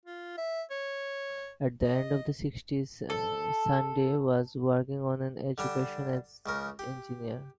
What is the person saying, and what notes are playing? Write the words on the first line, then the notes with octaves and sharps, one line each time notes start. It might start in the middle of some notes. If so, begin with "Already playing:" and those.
At the end of the sixties Sunde was working on an education as engineer.
F4
E5
C#5
D#5
A4
D3 G3 D4
C#2 C#3 A#4
G4